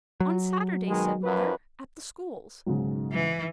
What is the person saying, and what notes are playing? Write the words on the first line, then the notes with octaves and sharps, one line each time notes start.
'On Saturday,' said mother, 'at the schools.
F#3
B2 D#3 G#3
F#2 F3 B4
B1 G#2 C#3
E3